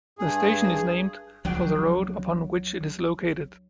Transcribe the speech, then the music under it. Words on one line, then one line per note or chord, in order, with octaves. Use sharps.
The station is named for the road upon which it is located.
G2 G#4
C#2 F3 F#3 D4 G5